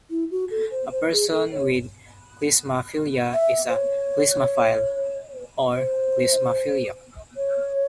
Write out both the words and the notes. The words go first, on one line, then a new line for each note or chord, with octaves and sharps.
A person with klismaphilia is a "klismaphile" or "klismaphiliac".
E4
F#4
A4
C5
C5
G#4
A4
C#5
E5
C5
C#5
C5
C#5